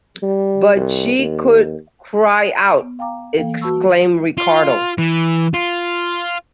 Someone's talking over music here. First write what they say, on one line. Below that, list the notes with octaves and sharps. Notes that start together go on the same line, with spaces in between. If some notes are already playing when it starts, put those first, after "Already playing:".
"But she could cry out," exclaimed Ricardo.
G3
C2
D#2
B3
F5 G5 A#5 D6
E3 A#3 A4 F5 G5
F#4 B4 A5 B5 C#6 E6
F4
E3
F4